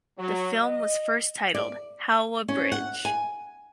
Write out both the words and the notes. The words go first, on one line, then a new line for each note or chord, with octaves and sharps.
The film was first titled "Howrah Bridge".
F#3
D#5
D5
C#4
F#5
G#5